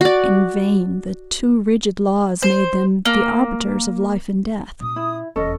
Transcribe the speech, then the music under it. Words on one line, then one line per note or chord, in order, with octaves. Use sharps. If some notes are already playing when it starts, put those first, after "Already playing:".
In vain the too rigid laws made them the arbiters of life and death.
F#4 D5
C5
A#3
A#2 C#4 D#6
E4
D#1 E2 C#4 A4 D#5